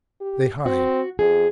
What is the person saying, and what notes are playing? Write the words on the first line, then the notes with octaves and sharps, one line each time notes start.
They hide.
G4
C4 F#4
F2 G#4